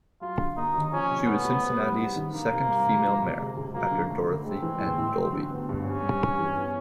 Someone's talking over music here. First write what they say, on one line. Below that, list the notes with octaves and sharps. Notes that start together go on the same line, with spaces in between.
She was Cincinnati's second female mayor, after Dorothy N. Dolbey.
F#3 F4
D3
A#3 D#4
D#2
F3 C#4
C3
A3 B3
C2
C4
G3
D#4
D#3
D#3 A#3
C3
G3
D2
F3
C3
G#3
C#2
F#3 A#3
D3
A3
D2
G#3 C4
E3
A2
A2
F#3
D3
B3
G2
C4 C#4
G3
E3
E3
B3